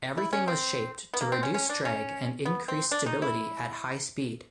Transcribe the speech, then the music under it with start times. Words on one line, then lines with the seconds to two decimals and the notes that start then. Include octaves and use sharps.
Everything was shaped to reduce drag and increase stability at high speed.
0.17 E4
0.33 C#4
0.48 C4
1.14 B3
1.21 A#3
1.32 C4
1.43 C#4
1.54 C#4
1.69 D4
1.85 C#4
2.45 B3
2.68 C4
2.92 D4
3.06 D#4
3.22 E4